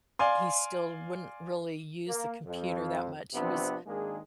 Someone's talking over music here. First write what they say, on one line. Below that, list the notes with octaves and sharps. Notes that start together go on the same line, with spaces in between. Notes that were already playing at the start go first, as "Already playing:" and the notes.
he still wouldn't really use the computer that much, he was
D5 F5 G#5 C6
A#3
F2
C3 F3 B3 C4 D4
G#1 D#3 G#3 A#3 D4 G#4